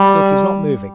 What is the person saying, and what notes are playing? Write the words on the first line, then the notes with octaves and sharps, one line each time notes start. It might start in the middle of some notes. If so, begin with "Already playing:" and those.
'Look, he's not moving.
Already playing: G3